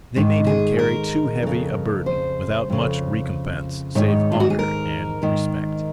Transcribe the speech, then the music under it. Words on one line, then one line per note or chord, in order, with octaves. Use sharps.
They made him carry too heavy a burden, without much recompense save honor and respect.
G#2 D#3
G#4
A#4
F2 C#3
C5
F2 C#3
G#2 D#3 C#5
F4
F#4
G#4
A#4
G#2 D#3